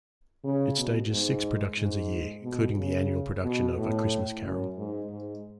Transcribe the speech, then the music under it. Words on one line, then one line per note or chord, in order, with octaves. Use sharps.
It stages six productions a year, including the annual production of "A Christmas Carol".
C#3
B2
G#2
G#2
B2
C#3
B2
A2
F#2
G#2
G#2